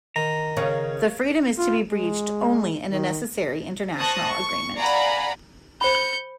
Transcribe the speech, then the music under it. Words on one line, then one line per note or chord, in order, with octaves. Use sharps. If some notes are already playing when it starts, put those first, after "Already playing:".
The freedom is to be breached only in a necessary international agreement.
D#3 A#5
C#3 A#4 C#5 F5
F4
G#3
D#3
C5 A5 C#6 D#6 F#6 A#6
C#6
D5 F5 F#5 G#5 A#5 B5
C5 B5 G6 C#7